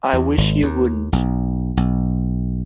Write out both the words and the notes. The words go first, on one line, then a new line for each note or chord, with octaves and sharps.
I wish you wouldn't.
E2
G#1
D#2
B1
B1